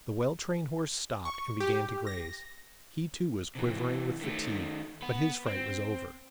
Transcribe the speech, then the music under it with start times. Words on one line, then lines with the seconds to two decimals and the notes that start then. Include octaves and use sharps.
The well-trained horse stopped and began to graze; he too was quivering with fatigue, but his fright was over.
1.25 C#6
1.60 G4
2.07 A#6
3.55 C3 E3
4.21 D#3 A3
5.02 B3 B4
5.46 C4